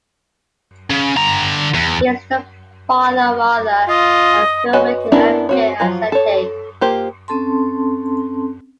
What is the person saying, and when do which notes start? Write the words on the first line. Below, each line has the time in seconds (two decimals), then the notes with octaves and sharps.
He is the father of author and filmmaker M. K. Asante.
0.90 C#3
1.17 D3 A#5
1.74 E2
3.88 F4 D#5
4.73 F#4 B4 C#5 D#5 G#5
5.12 B3 C#4 D4 E4 A#4
5.49 C4 F#4 C#5
5.80 F3 F#3 F4
6.12 A4 C#5
6.81 A#3 F4 G4 C5
7.28 C4 C#4 A4 A5 C6